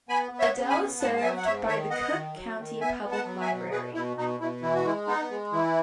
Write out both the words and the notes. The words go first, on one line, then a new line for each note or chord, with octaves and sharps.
Adel is served by the Cook County Public Library.
B3 G#5 B5
B3
C#5 E5
C#3
G#5 B5
B3
G#2 F#5 A5
A5
F#3 E5 G#5
F#5
G#2 C#5 E5
D#3 C#5 E5
B3 D#5 F#5
D#3
F#3
D#3
B3 E5 G#5
B3
F#5 A5
F#3
E5 G#5
B2
B2 G#4 B4
B2 E4
B2 D#4
B2 E4
E3 E4
F#4
G#3 E4
B3 D#4
G#3
E3 E4